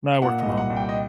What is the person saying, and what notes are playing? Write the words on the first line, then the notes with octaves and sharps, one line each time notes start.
No, I work from home.
A#2 F#5
D#5
C2
F#5
C2
G5
D#5